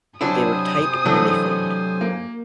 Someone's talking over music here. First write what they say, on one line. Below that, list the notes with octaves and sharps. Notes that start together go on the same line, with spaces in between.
They were tight when they phoned.
C3 F#3 D4 E4 C5 G#5 D#6
E3 F#3 A3 D4
A#3